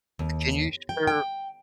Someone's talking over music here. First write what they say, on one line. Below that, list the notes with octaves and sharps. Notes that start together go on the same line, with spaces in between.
can you share
D#2
G5
G5